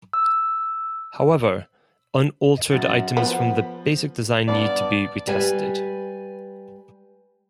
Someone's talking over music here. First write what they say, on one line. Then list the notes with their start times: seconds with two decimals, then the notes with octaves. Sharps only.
However, unaltered items from the basic design need not be retested.
0.13 E6
2.71 F#2 F#4 A6
3.17 F3 B3
4.48 G2 B3 D5 A5
5.27 G3 B4 G#5